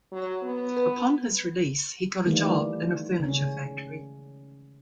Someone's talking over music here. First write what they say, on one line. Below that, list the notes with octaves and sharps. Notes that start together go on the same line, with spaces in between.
Upon his release he got a job in a furniture factory.
F#3
B3
B4
D#3 E3 G3 A3 A#3
C#3 C#4